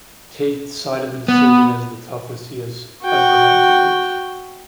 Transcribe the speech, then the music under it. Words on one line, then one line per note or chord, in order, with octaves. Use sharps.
Tate cited the decision as the "toughest he has ever had to make".
B3
F#4 G5